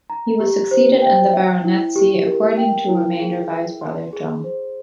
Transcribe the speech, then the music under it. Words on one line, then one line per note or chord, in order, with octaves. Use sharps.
He was succeeded in the baronetcy according to remainder by his brother John.
A#5
G4
C5
G5
E5
E4
G4
A#4
G5
E4
G#4
E5
C6
G#4
C5